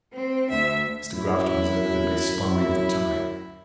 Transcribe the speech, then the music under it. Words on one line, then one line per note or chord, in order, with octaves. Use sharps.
Mr. Grafton was evidently sparring for time.
C4
D2 E5
F#2 E4